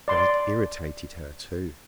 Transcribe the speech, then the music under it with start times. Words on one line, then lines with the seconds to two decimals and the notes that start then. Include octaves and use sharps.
But it irritated her too.
0.08 D5 C6